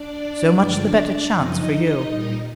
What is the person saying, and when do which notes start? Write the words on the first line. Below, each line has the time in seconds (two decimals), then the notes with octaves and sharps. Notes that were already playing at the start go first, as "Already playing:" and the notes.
"So much the better chance for you."
Already playing: D4 D5
0.57 G2 D3 F3 G#3 D4 D5
1.31 F#2 C#3 F3 D#4 D#5
2.06 A#2 G3 A#3